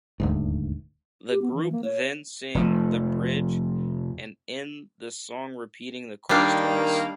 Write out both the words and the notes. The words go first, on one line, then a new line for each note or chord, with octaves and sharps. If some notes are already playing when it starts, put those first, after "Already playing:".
The group then sing the bridge, and end the song repeating the chorus twice.
D#1 D2 G#2
G4
B3
E3
A#3
C#5
F1 F3 A3
D#3 G3 A#3 D4